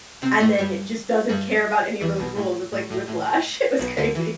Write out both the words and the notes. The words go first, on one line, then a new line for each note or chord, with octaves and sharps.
and then just doesn't care about any of those rules. It's like whiplash. It was crazy.
C3 C4
A2 A3
G2 G3
G2 G3
E2 E3
B1 B2
A2
A2
A2
A2
B1 B2
D2 D3
E3